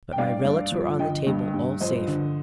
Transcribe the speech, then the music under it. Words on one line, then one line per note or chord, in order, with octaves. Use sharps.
But my relics were on the table, all safe.
G5
G2 D5 F5
G2
F3
D3 D#5 G5
G2
G2
F3 C5 D#5
D3